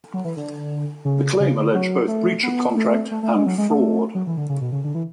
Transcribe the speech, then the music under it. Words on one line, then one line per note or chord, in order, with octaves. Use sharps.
The claim alleged both breach of contract and fraud.
F#3
E3
D3
C#3
C#3
D3
F#3
A3
B3
A3
A3
A3
G#3
F#3
G#3
A3
F#3
E3
D3
C#3
B2
C#3
D3
E3